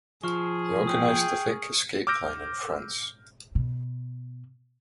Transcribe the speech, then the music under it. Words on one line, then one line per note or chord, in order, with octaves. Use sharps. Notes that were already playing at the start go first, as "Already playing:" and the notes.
He organised the Vic escape line in France.
F3 G#4 C#6 F6
G5 D#6
D6 E6 F6 G6 A#6 D7
B2